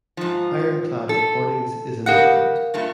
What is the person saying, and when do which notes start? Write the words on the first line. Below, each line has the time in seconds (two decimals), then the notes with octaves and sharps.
IronClad Recordings is an imprint.
0.17 G#2 F3
1.09 A4
2.06 C#3 G4 A#4 F5 F#5 F#6
2.74 G2 A#2 A3